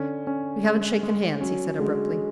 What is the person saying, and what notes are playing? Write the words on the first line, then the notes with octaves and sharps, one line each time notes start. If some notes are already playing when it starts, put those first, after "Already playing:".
"We haven't shaken hands," he said, abruptly.
Already playing: D3 C#4
C#4
G#3
G#3
F#3 C#4
D3 G#3